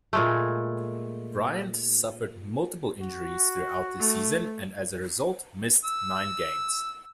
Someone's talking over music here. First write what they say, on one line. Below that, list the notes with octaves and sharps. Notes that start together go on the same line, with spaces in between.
Bryant suffered multiple injuries throughout the season and as a result, missed nine games.
A#2 G#3 A3
F#4
A3
E6